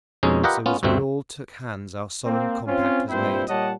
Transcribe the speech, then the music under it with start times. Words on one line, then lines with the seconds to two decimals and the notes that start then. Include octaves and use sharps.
So as we all took hands our solemn compact was made.
0.23 F2 B2 G#3 C#4 D#4
0.44 F4 G4 A#4 B4 D#5 F#5
0.66 B3 C#4 F4
0.83 D2 G2 B2 A3 C4
2.25 A#3 C4
2.68 C4 C#4 F4
3.09 G2 A#2 C4 E4 C5
3.49 A#2 G3 C#5 D#5 F#5 A5